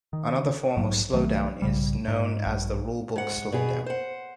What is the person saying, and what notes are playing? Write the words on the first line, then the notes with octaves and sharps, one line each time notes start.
Another form of slowdown is known as the rule-book slowdown.
D#3
A#1 G#2 F#3
B1 D#3 F#3 A3
B1 G#2 C#3 G3
G#2
A#1 G2
G#2 F#5
B2 G#4
C5 F#5